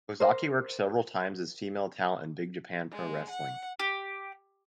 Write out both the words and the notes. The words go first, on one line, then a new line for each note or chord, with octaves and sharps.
Ozaki worked several times as female talent in Big Japan Pro Wrestling.
A#4 C5
G#3
F#5
G4